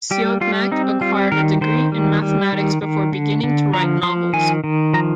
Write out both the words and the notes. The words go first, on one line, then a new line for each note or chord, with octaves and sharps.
Siodmak acquired a degree in mathematics before beginning to write novels.
G3 G4
G3 F4
C4 D#4
G3 F4
D#3 A#4
D#3 C5
G3
G3
D#3
D#3
D3
D3
F3 A#5
F3 C6
D#3 G#5
D#3
F3 A#5